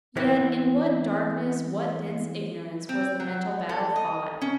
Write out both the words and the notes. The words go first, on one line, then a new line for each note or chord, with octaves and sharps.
Yet in what darkness, what dense ignorance, was the mental battle fought!
E3 B3 C4
C4
F#3
A4
D#5
C#4